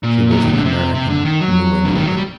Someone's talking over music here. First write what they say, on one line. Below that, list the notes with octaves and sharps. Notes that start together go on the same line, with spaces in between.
She was an American, a New Englander.
A#2
F#3
D#3
D3
C3
C3
D3
D#3
F#3
D3
D#3
F#3
G3